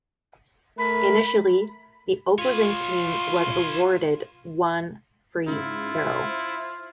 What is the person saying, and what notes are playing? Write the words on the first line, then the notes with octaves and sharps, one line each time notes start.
Initially, the opposing team was awarded one free throw.
A3 A#4 B5
F4 B4 C#5
G#2 C#3 E4 F4
C5 E5